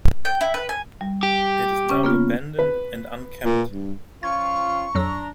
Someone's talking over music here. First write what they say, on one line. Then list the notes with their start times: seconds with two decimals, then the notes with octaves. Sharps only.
It is now abandoned, and unkempt.
0.25 G5
0.41 E4
0.54 B4
0.69 G#5
1.01 G3
1.23 G4
1.90 C#3 C#4
2.03 A#3 B3 F4
2.59 B4
3.44 A#2
3.70 G2
4.23 F3 C#4 F4 C#6 G#6
4.95 F2 F#3 D4 A#5 E6